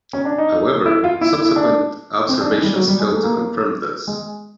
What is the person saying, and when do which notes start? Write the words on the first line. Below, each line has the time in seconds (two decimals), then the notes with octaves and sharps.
However, subsequent observations failed to confirm this.
0.13 C#4
0.25 D4
0.38 D#4
0.86 E4
1.04 F4
1.21 E4
1.33 E4
1.45 E4
1.56 D4
2.28 C4
2.41 D4
2.52 G#3
2.63 G3
2.75 F#3
2.88 G3
2.99 G#3
3.12 A3
3.23 A#3
4.07 G#3